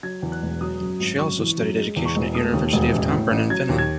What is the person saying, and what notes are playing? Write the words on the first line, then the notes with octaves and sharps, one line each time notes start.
She also studied education at University of Tampere in Finland.
F#3 G#6
E2
F#6
E1
F#3 D#6
F#2
G#1
F#2 C#6
E3
F#2
G#3
E2
C#6
E1
A3 D#6
D#2
E1
A1
A2
A1
F#3 G#6
D#2
G#6